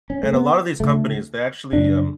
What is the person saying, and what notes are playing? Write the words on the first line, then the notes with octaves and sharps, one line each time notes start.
and a lot of these companies, they actually, um,
C#4
A3
B3
D2 C#3 A3
F#2 C#3 D4